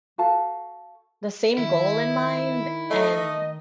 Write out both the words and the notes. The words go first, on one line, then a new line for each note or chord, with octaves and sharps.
the same goal in mind and
F#4 A4 F5 A5
D#3 E4
A3 D#5